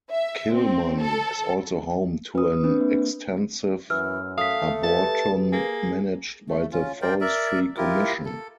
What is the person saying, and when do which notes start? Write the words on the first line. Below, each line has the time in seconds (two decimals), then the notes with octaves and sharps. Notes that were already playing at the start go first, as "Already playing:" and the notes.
Kilmun is also home to an extensive arboretum managed by the Forestry Commission.
0.11 E5
0.55 C4
1.01 A4
2.35 B4 D#6
2.63 C4 D4 B4
2.80 A#3
3.90 F#2 E3 E6 F6
4.38 A3 F5 D#6 B6
4.84 G4 A4 B4 A5
5.52 A#3 G#4
6.49 A3
6.72 C#4 F4
7.02 A#4 C5 D5 G5
7.21 A#4 D5 E5
7.77 E4 F4 G4 A#4
8.25 A4